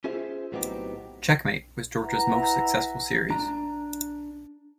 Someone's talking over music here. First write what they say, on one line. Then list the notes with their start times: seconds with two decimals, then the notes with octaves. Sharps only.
"Checkmate" was George's most successful series.
0.04 C#4 F4 G#4 C5 E5
0.52 A2 F#3 B3 C4 D#4 G4
2.02 E4 B4 E5 F#5 A#5
3.30 D4 A#5